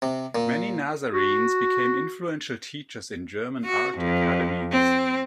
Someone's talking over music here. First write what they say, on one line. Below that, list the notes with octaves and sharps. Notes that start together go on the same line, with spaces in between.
Many Nazarenes became influential teachers in German art academies.
C3
A#2
F#4
F#4
F2
C4